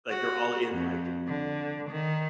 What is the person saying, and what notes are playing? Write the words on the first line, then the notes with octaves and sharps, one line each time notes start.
like, they're all in, like,
F#4
F2
D3
D#3